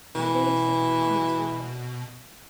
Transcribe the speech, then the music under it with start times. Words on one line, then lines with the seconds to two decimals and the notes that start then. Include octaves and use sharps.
The debates of the Commons were public.
0.15 B2 E3